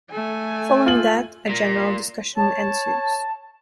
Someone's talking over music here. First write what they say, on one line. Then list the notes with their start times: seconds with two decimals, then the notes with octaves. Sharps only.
Following that a general discussion ensues.
0.11 A3 G#5
0.86 F4 F#7
1.49 A#2
2.36 C#5 A5